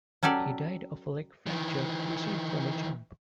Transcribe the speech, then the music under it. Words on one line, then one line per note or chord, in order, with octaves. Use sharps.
He died of a leg fracture received from a jump.
F#3 C#4 G4 A4 D5
D#3 E3